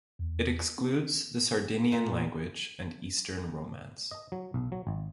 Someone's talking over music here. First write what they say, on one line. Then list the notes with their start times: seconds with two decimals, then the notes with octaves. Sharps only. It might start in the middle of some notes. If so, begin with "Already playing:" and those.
It excludes the Sardinian language and Eastern Romance.
0.19 E2
0.78 C4
1.92 A#2
4.11 D#5
4.32 F#3
4.54 B1
4.72 F#3
4.87 G#1